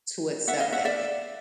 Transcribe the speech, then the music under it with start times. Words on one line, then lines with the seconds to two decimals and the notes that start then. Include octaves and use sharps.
to accept that;
0.48 E5 F#5
0.60 D#5 F5
0.72 E5 F#5
0.85 D5 E5